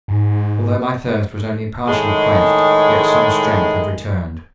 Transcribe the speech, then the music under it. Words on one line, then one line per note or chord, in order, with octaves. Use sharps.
Although my thirst was only partially quenched, yet some strength had returned.
G#2
A2 D#3 G#3